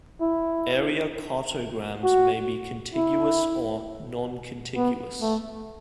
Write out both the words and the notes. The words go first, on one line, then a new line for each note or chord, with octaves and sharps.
Area cartograms may be contiguous or noncontiguous.
E4
F#4
E4
B3
A3